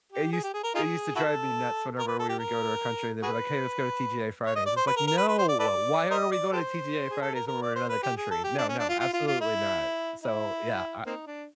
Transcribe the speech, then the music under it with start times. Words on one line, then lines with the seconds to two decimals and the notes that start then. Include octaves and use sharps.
It used it used to drive me nuts whenever we would go to our country, they'd be like, "Hey. Let's go to TGI Fridays." It's like, "No. Why are we going to TGI Fridays when we're in another country? No, no. Absolutely not." So, yeah, I
0.12 G4
0.32 G#4
0.43 G4
0.54 G#4
0.63 A#4
0.75 D#4 F4 G#4
1.16 E4 F#4 A4
1.99 A#4
2.08 B4
2.19 A4
2.29 G4
2.39 A#4
3.22 F#4 G#4 B4
4.46 C#5
4.56 D#5
4.66 D5
4.77 C5
4.87 B4
4.97 A#4
5.07 A#4
5.17 B4
5.28 B4
5.38 C5
5.49 D5
5.59 A4 B4 D5
6.10 A#4 C5 D#5
6.32 D5
6.52 G4 A4 C5
7.10 G#4
7.22 A4
7.35 A#4
7.47 A#4
7.62 D5
7.76 C5
7.89 B4
8.03 G4
8.17 G#4
8.31 A4
8.44 G4
8.58 D4
8.69 C#4
8.79 D4
8.89 F4
8.99 F4
9.13 F4
9.27 F4
9.41 E4
10.23 E4
11.06 A#3 C4 D#4
11.27 D4